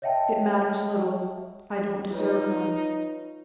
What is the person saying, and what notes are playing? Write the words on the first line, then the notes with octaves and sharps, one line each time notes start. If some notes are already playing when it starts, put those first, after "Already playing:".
It matters little; I don't deserve them.
C#5 D#5 E5 F#5 G5 A5
D#4 F4 B4 C#5